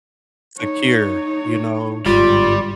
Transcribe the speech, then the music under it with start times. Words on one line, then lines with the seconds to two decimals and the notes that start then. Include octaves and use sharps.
secure, you know?
0.58 D#4 C#5
2.06 G1 G#2 G3 F4